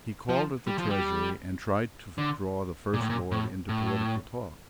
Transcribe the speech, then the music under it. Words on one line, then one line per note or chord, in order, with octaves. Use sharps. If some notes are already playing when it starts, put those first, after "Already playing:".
He called at the Treasury, and tried to draw the First Lord into political talk.
F3
G3
F3
G3
D3
A#2
A2
A#2
A2
A2